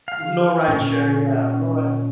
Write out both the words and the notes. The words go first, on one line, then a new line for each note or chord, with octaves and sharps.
no rideshare, yeah, no ri
F5
A#2 C#4